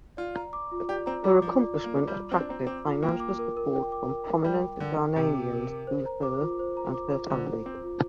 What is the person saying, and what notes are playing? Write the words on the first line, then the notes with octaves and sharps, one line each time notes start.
Her accomplishment attracted financial support from prominent Ghanaians to her and her family.
F4 D5
A#5
D6
F4
G4 D5
C4 A#5
G3 D6
F3 F4
D5
A#5
A#3
D6
G3
F4
C4 D5
D4
C4 A#5
C4 D6
F4
A#3 G5
D6
A#4
A#4
G5
D6
A#4
A#4
G3 G5
D6
D3 A#4
A#4
C3 G5
D6
A#4
A#4
C5
A#5
D6
F4
C5
A#5
D6
F4
D3 C5
A#5
C4 D6
F4